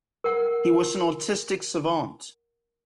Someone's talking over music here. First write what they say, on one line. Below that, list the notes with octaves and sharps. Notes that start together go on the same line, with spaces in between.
He was an autistic savant.
A#4 F#5